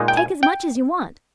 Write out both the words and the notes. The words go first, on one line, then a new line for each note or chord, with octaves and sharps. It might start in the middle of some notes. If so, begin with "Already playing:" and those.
Take as much as you want.
Already playing: A#2 G#3 D#4
G5
G#5
G5